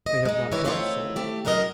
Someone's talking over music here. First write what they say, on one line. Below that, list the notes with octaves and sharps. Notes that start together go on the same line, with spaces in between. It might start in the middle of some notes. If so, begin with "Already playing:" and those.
"They have not done so."
D#5
G#3 D#4
E3 G4 A#4 B4 C#5
D#3 A3 C4 E4 F4 C#5
A3 G4
F#3 G#3 C#4 A#4 D#5